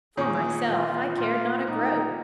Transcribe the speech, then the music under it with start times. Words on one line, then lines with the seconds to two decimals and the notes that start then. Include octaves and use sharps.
For myself, I cared not a groat.
0.17 A#2 D#3 G#4
0.67 A#2 F4
1.18 A#2 F4
1.67 A#2 D#4